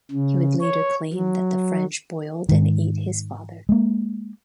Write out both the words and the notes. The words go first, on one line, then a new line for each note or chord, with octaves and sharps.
He would later claim that the French boiled and ate his father.
C#3
C#5
F#3
G#2 D#3
G#3 A#3